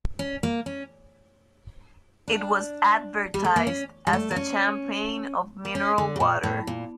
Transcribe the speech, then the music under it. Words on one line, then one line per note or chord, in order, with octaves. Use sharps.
It was advertised as the Champagne of mineral water.
C#4
A#3
C#4
D4
G3
A3
A#3
C#4
G3
A3
A#3
C#4
A#3
C#4
D3
C#3
A#2
A2
A#2